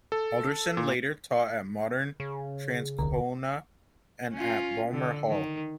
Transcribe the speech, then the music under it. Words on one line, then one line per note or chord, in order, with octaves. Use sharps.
Halldorson later taught at Morden, Transcona and at Balmoral Hall.
A4
A#2
C#3
D#1 C2 D3
C#4 F4
D3
D#3